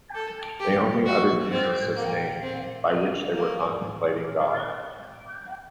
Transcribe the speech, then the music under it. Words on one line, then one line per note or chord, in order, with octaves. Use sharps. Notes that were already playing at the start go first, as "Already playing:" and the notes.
They only uttered Jesus' name by which they were contemplating God.
A4
G4
F#4
C4
A#3
C4
A#3
A#3